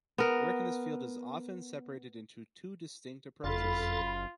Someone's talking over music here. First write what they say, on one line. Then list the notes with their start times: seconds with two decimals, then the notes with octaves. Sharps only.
Work in this field is often separated into two distinct approaches.
0.18 B3 A#4
3.44 F#1 F2 F4 A4 B5